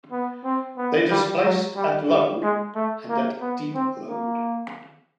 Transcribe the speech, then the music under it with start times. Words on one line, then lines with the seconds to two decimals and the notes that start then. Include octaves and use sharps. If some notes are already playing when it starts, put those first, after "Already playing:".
They displaced at load and at deep load.
0.11 B3
0.44 C4
0.77 B3
1.11 G3
1.44 F#3
1.76 G3
2.09 G3
2.43 G#3
2.75 A3
3.09 A#3
3.41 B3
3.75 C4
4.07 A#3